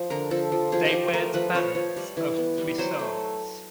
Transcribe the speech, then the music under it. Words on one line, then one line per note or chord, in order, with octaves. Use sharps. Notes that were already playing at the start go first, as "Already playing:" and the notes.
They were the parents of three sons.
Already playing: F3
D3 A#4
F3 A4
F3
F3 G#4
G4
F3
A3 A#4
F3 B4
F3 C#5
F3
G3
E3
B3
G3
F#3 C5
A3